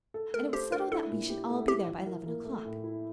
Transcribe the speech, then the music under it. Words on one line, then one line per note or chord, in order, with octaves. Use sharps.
And it was settled that we should all be there by eleven o'clock.
A4
A3 A#4
G4 C5
D4 A#4
E4 A4
A#2
G4
A3
E4 G4
F3
A#4
A#3
A3
A2
E4